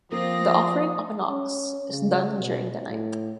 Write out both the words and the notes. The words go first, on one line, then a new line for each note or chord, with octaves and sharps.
The offering of an ox is done during the night.
F3 A#3 C4 F4 D#6 A#6
C#4
C#3
B2
A2